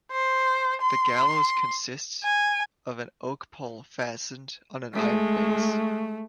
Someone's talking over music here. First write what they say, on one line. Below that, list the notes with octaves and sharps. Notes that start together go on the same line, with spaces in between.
The gallows consists of an oak pole fastened on an iron base.
C5
C6
G#5
G#3 A3